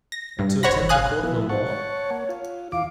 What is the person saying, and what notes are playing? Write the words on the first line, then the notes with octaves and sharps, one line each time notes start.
And to attend the court no more?
A#6
G2
C5 C#5 F#5 B5 A#6
F5 G#5 D#6 F#6
F3 B3 E4 B4
C5 F#5 A5 C#6
C#5
A#3
F4
E2 F5 D6